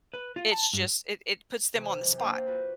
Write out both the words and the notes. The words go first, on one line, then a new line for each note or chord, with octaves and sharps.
it's just it it puts them on the spot.
B4
F4
A5
G2
C3 E3
F#2 C3
A#3 D4 C5 D5 F5 G5
F4 F#4 B4